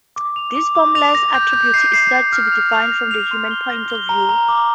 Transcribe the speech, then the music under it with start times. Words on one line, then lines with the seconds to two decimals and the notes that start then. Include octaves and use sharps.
This formless attribute is said to be defined from the human point of view.
0.16 D6
0.36 F7
0.55 D6
0.75 D6
0.95 F7
1.15 A#6
1.34 G6
1.53 G6
1.74 C7
1.93 C7
2.13 C7
2.33 F6
2.52 F7
2.72 F7
2.92 A#6
3.11 F7
3.31 C6
3.51 G7
3.70 A#6
3.90 G7
4.09 A#5
4.29 A#5
4.49 D6